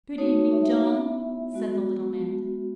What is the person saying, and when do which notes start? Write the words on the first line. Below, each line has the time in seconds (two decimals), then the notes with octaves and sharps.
"Good evening, John!" said the little man.
0.18 A3 D#4 F#4 C#5
0.52 E5
0.86 B3 E4
1.54 G#3 B3 F#4